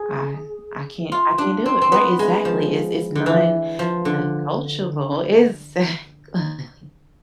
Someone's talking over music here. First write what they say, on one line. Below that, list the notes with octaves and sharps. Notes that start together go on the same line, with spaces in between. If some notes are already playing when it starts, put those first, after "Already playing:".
I I can't I can't do it, right? Exactly, it's it's non-negotiable, exactly.
Already playing: G#4
F4
D4
C4
C4
B3
G#3
F3
D3
E3
F3
D3